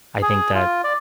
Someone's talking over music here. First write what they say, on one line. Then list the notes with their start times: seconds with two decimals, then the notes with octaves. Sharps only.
I think that
0.22 G#4
0.55 F4
0.84 D5